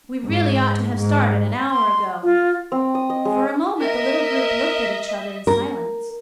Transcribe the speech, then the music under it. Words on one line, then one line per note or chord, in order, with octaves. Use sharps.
"We really ought to have started an hour ago." For a moment the little group looked at each other in silence.
G#2
G#2
C6
F4
C4
D#6
D#5
G#3
A#4 D#5 E5
A#4